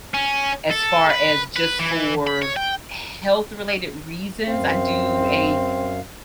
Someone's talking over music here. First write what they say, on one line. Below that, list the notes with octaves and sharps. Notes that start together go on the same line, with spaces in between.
as far as just for health-related reasons, I do a
C#4
A4
B4
B4
E3
B5
C#5
G5
F#2 C4 F5